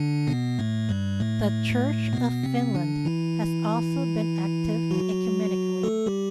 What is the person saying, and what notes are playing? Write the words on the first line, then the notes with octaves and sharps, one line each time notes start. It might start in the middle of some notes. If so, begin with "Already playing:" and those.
The Church of Finland has also been active ecumenically.
Already playing: D3 D4
B2 B3
A2 A3
G2 G3
A2 A3
B2 B3
C3 C4
D3 D4
E3 E4
F#3 F#4
A3 A4
G3 G4